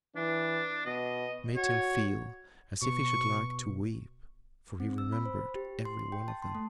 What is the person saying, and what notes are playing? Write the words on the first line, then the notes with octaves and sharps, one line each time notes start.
It made him feel as if he should like to weep, for he remembered every one of them.
E3 D4
B2 D#5
F#4 C#5
B2 C#6
C4
E6
B5
C5
G4
C6
C6
G5
A5
C6
A3